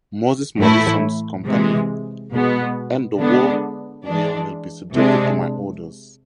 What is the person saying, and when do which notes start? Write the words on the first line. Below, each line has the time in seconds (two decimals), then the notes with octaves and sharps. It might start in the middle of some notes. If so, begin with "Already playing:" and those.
Moses Morrison’s Company and the whole will be subject to my orders.
0.57 A2 E3 A3 E4
1.44 C3 E3 G#3
2.32 B2 G#3 B3
3.20 D3 G#3 B3 D4
4.06 E3 G#3 D4
4.94 C3 G#3 D4